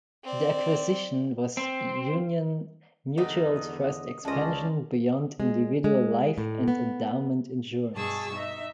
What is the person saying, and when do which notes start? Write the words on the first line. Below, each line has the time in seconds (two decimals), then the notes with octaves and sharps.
The acquisition was Union Mutual's first expansion beyond individual life and endowment insurance.
0.24 C4 D5
1.57 C4
3.17 E2 D3 G3 B3 D#4 D#5
3.56 D#5
4.25 C#2 G#3 C#4 C5 D5 D#5 A5
5.40 G#3
5.84 G#3
6.38 A2
6.68 B3
7.94 G2 B2 G#4 A5 C#6 E6
8.33 D#4 E5